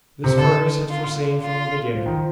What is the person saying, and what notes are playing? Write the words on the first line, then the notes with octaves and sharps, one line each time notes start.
This Fergus had foreseen from the beginning.
C3
D3 A4
F4
F4
F3
D#3
F3